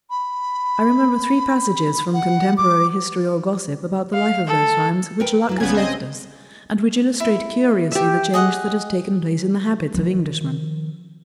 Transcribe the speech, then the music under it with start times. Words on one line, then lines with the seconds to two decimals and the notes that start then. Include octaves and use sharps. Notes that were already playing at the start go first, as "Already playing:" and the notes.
I remember three passages, from contemporary history or gossip, about the life of those times which luck has left us, and which illustrate curiously the change that has taken place in the habits of Englishmen.
0.10 B5
2.13 F#5
2.57 D6
4.13 F5
4.47 A4
5.20 A#4 B4 G5
5.49 F#3 E4
5.60 A#1 C#3 B3 G#6
5.73 C4 D#5
7.20 E4
7.92 G4 E5
8.33 G#4 D#5 F#5
9.94 D#3 F3